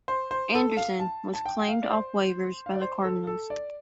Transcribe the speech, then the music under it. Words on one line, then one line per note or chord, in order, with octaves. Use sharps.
Anderson was claimed off waivers by the Cardinals.
C5
C5
A4
F5
A5
A5
G5
G5
F5
D5
C5
F5
D5
C5
A4
A4
D5